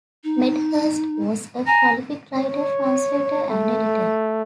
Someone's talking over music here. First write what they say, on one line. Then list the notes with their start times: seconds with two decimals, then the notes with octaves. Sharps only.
Medhurst was a prolific writer, translator, and editor.
0.24 D#4
1.67 G#5 A#5
2.38 C#5
3.50 A3